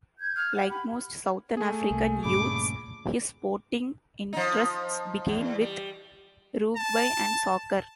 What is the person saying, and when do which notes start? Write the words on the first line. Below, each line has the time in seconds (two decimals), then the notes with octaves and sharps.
Like most Southern African youths, his sporting interests began with rugby and soccer.
0.19 G6 G#6
0.36 F6
0.56 G4 F#5
0.70 B5
1.57 A3 G#4 G#5
1.91 C2 A#3
2.25 G2 A#2 C#3 B5 D6
4.33 F3 D#4
5.28 E2
5.61 G3
6.76 A5